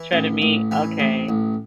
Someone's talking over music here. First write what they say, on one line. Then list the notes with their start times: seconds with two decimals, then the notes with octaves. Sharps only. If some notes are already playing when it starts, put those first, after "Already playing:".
Shredded meat? Okay.
Already playing: E3
0.13 A1
0.42 A1
0.71 E3
1.00 A1
1.29 A1